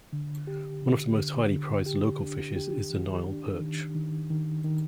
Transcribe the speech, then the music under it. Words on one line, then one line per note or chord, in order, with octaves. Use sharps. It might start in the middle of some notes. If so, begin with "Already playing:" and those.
One of the most highly prized local fishes is the Nile Perch.
D3
G4
D3
D3
D3
G4
D4
G4
D#3
D4
D#3
D#3
D#3
D#3